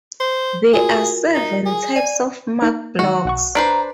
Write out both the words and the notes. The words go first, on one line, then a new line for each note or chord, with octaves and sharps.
There are seven types of Mark blocks.
C5
F4 F#4 G#4 A#4
D#4
G#4
D5 G#5
A#3 D#4 A#4
D#3 G#3 F#4
B1 F#5 C#6
D4 B4 C5 A#5